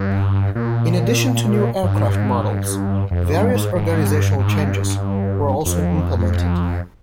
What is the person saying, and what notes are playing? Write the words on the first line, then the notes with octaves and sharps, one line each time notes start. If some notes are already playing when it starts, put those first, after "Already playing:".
In addition to new aircraft models, various organisational changes were also implemented.
Already playing: G2
A#2
G2
G#2
G2
G#2
G2
G#2
G2
F2
G2
G#2
G#2
G2
G#2
G2
G2
G#2
G2
F2